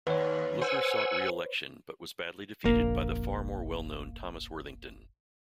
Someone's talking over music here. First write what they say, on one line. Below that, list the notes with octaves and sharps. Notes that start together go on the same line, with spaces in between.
Looker sought re-election but was badly defeated by the far more well-known Thomas Worthington.
D#2 B4 C#5
C5 F#5 G#5 E6
F1 A#1 A#3